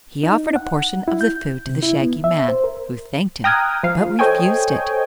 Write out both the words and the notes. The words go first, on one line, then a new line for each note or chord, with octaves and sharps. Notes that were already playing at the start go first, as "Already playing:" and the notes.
He offered a portion of the food to the Shaggy Man, who thanked him but refused it.
D#4
F#5
E4
G6
C3
E4
B3
E5
C5
A#4
G5 A#5 D#6 F6 F#6 G#6
F3 F5
A4 C5 C#5 D#5 G5 G#5